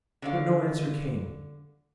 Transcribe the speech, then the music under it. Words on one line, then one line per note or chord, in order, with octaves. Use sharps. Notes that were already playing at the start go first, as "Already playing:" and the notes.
But no answer came.
D3 C#5 F5